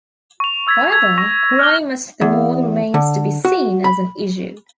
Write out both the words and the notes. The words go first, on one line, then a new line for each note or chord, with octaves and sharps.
However, crime at the mall remains to be seen as an issue.
C#6 F7
C#6 E6 G#6 A6 B6
G#6
C#6 A#6 F7
F6 F#6 G7
E2
D3
F#4
B5